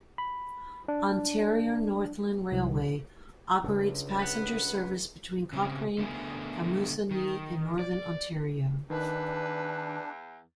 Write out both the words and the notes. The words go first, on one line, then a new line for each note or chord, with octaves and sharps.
Ontario Northland Railway operates passenger service between Cochrane and Moosonee in Northern Ontario.
B5
D4
C2
C#2 C#3 C#4 D4
B4 F#5
C#3 C4
D3 A3 B3 G#4
D#3
D5
E2 D#3 D4 B4